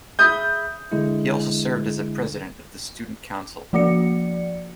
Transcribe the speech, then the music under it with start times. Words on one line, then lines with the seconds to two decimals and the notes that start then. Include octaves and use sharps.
He also served as a president of the student council.
0.19 G#4 E5 B5 D#6 G6
0.92 D3 G#3 E4
3.73 F3 A#3 F#4 D5 C#7